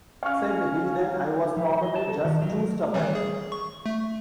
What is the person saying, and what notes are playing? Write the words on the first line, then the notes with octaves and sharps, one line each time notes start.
Said Heiden I was probably just too stubborn.
C#4 F5 C#6 F6
F3
C5
D#5
A5
A4
D#3
F#3
A#4
D#3 E3 G3
G#4
C#6
A3